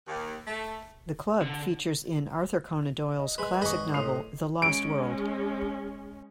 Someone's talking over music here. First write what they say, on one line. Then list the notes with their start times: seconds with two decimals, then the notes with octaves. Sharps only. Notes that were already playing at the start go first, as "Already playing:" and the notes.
The club features in Arthur Conan Doyle's classic novel, "The Lost World".
0.07 D#2
0.46 A3
1.42 D3
3.19 D#5
3.38 G#3 B4
3.62 G#1 G#4 B4 D#5 C#6
3.94 A2 F4 D#6 C7 F7
4.62 G#3 C#4 D7